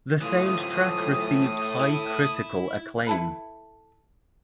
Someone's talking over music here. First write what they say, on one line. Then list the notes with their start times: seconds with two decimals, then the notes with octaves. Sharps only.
The soundtrack received high critical acclaim.
0.21 A2 E3 F4 D#6
1.80 E4
3.07 E4 A4 B4